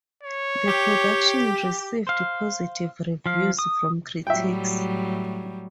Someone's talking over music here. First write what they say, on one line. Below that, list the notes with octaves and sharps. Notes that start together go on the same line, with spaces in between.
The production received positive reviews from critics.
C#5
G4
C5 F5
F3 F5
D#6
A2 F#3 G3 E5 G5